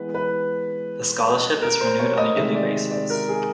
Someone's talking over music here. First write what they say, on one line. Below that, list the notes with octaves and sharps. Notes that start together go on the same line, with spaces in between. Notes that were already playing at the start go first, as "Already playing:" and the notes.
The Scholarship is renewed on a yearly basis.
Already playing: E3 G#3 B3 B4
B4
A#4
C5
C#5
D#5
C3 D#3 G#3 E5
D5
D5
A#4
G#4